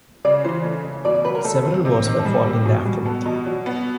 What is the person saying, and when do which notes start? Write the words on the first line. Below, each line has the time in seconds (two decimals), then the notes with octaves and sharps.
Several wars were fought in the aftermath.
0.25 C#3 D5
0.44 E3 C5
0.64 A3
0.84 C#3
1.05 B2 D5
1.15 D5
1.25 F#3 B4
1.35 A#4
1.45 A3 A4
1.65 C4
1.85 C3
2.05 D#3
2.19 A4
2.25 G3 G#4
2.45 A#3 G4
2.65 B2 G#4
2.85 G3 G#4
3.06 B3 A4
3.26 B2 D#5
3.46 F#3 D5
3.66 B3